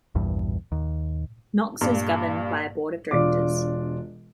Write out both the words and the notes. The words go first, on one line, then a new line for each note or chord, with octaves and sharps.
Knox is governed by a Board of Directors.
A#1 E2 G2
D#2
G2 A#2
E1 D4 F4 D6